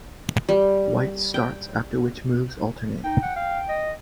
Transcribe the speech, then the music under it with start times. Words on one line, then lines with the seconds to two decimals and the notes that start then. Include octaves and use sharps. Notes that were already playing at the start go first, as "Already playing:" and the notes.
White starts, after which moves alternate.
0.49 G3
1.34 G5
3.04 D#4 G5
3.22 F#5
3.36 F5
3.69 D#5